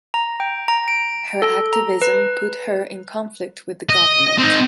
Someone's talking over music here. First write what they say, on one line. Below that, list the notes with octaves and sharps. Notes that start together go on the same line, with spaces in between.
Her activism put her in conflict with the government.
A#5
G5
A#5
D7
A4
A#5
B4
D#5
C4 D#4